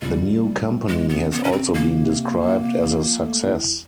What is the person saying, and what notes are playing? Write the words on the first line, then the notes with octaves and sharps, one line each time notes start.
The new company has also been described as a success.
C#2 G3
C#2
C#3
F3 G#3
B3
C#3
B3
C#3 C#4
C4
C#2 A#3
C3
F3
C3
F3
A3
E2